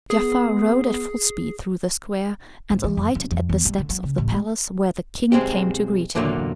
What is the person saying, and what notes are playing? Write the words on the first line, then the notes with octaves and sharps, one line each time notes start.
Giafar rode at full speed through the square, and alighted at the steps of the palace, where the king came to greet him.
B3 G#4
G#2
E3
F2
F#2
F2
E2
G3
D3
F#3
C#3
A1
G#3
B1 G#3 C4 G4
E2 A#2 D3 F#3 A#3